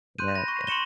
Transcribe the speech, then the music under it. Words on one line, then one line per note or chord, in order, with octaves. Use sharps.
Yeah, yeah.
C6 F#6 G6 D#7
B5 A#6
C#6
C6 C#6 C#7 E7 G7